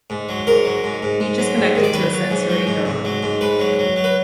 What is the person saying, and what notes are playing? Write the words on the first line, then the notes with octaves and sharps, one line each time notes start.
Each is connected to a sensory neuron.
G#2
F#3
G#2 A#4
F#3
G#2
G#2
G#2
F#3
G#2
D#3
D5
F#3 B4
F#3
G#2
F#3
G#2
G#2
F#3
G#2
G#2 B4
F#3
F#3
F#3
B4